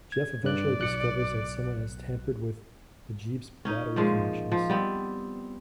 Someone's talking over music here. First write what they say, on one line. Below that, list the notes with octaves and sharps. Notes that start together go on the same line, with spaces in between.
Jeff eventually discovers that someone has tampered with the Jeep's battery connections.
G#6
G2 D5 F#6
B1 F#6 C#7
C#4 D#4
A#2 F3 G#3
F3
G3 B3 C4